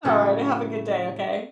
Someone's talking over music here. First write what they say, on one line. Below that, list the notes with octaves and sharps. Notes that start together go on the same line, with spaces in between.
Alright. Have a good day, okay?
A2 C#3 F#3 A3 A4